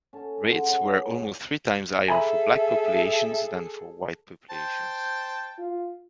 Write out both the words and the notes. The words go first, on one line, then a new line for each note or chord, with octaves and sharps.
Rates were almost three times higher for black populations than for white populations.
C#4 A4
G#3 C#4 F#4
C#5
G#4 A4 E5 G#5 A#5 B5
C5 G5 A5
F4